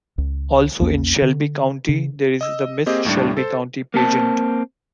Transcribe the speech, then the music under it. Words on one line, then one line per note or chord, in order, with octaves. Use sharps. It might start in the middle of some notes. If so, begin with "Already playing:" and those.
Also in Shelby County there is the Miss Shelby County Pageant.
C#2
A#1 E2 A#3 C#4
D3
C#3
D#5 E6
A#3 C4 G4 G#4 D#5
D#2 A2 G3 D4
A4 C5
A#3 C4 A5